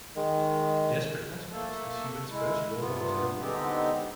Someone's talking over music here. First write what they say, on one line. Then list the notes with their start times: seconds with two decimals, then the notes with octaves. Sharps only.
"Desperate Housewives" is Huett's first role for television.
0.16 D#3 G#3
1.51 A3 A#3 A4
2.29 G#3 E4
2.79 G2 C3 B3 F4
3.38 D3 G#3 B3 C4 D#4 G4